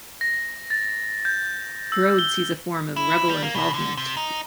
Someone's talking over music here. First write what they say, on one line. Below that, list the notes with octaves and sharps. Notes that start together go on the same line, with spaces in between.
Brode sees a form of rebel involvement.
A#6
A6
G6
E6
G7
E4
G3
A#3
B2
D3
C3
D#4